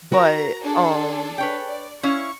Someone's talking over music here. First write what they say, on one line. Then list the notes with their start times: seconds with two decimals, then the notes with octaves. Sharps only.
but, um,
0.12 F#4 A#4 A#5
0.62 D4 G#4 A4
1.38 B4 C#5 G5
1.67 D5
2.03 C#4 E4 F5 C#6